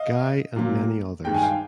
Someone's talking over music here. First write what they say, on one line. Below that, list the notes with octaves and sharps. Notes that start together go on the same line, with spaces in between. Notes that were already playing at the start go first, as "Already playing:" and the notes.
Guy and many others.
Already playing: D#5 F5
A#2 F#3 A#3
G2 D#3 G#3 G5
G#5
F5 G5